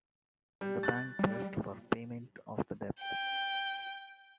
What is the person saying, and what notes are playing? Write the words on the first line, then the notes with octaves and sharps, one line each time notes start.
The bank pressed for payment of the debt.
G3
F#6 A6
G3
G5